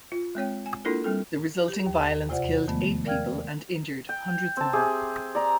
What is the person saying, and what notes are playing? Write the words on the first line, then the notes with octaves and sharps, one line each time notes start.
The resulting violence killed eight people, and injured hundreds more.
F4
G#3 C4 C#5 G5
G#5
A#3 D4 E4 F4 A4 A#4
G3 C4 A4
G4
D#2
E2 C3 F4 C5 D5 F#5
D#3 F3 G#3 A3 B3
A#4 D5 F5 G5 F6 G#6
G5
C4 A5
G4 G#4 E5
D5 A#5